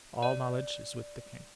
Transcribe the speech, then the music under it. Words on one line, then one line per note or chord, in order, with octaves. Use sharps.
"All knowledge is with the King."
D5